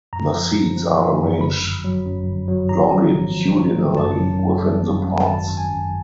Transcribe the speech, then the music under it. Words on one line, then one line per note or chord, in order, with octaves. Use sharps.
The seeds are arranged longitudinally within the pods.
F#2 A#5
F3
F3
F3
F3
F#2
G1 B5
G1
F#3
F#2
G1
F#3
G#1 A#5
F3
G#1
F3
F3
G#1
F#2 A5
F#2
F#2
G3
F#2
F#2
G#1 A5
G#1
G#5
F#2